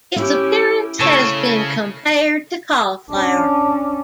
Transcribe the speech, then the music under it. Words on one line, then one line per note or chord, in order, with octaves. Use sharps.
Its appearance has been compared to cauliflower.
C#4 E4 G4
C#3 A3 C#5 A5 E6
C#4 D4